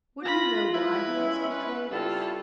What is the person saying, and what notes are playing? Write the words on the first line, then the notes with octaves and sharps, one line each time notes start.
Would you know why he has betrayed us?
F4 B5 A#6
E4 B4
G2 G#3 C#4
B4
C#3 G3 E4 F4 A4